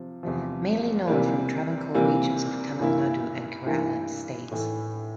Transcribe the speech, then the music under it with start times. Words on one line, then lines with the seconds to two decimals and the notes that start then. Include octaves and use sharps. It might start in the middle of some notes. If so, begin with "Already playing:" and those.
Mainly known from Travancore regions of Tamil Nadu and Kerala states.
Already playing: C3 F3
0.23 E2 C3 F3
1.08 C3 E3 G3 A#3
1.94 C3 E3 G3 A#3
2.80 G2 E3 A#3 E4
3.65 G2 E3 A#3 E4
4.51 A2 E3 A3 E4